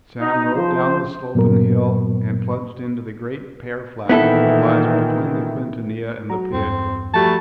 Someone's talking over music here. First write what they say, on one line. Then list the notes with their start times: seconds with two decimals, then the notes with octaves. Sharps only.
Sam rode down the sloping hill and plunged into the great pear flat that lies between the Quintanilla and the Piedra.
0.20 D#4
0.54 F3 C5
1.35 G2 A#2 F#3 B3 A#4
4.09 A#2 D#3 E3 B3 E4 A4
6.30 F#3 F#4 A#5
6.53 E2 G2 C4
7.14 F3 G3 A3 F#4 A5